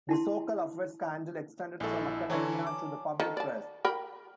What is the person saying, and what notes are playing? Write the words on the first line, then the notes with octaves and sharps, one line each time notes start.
The Sokal Affair scandal extended from academia to the public press.
E4 A5 C6
A#1 G#3 E4 F#4 A4
D3 E3 F#3 C#4 D4
D6
D#3 A4
D5 A5
A#4 G5 B5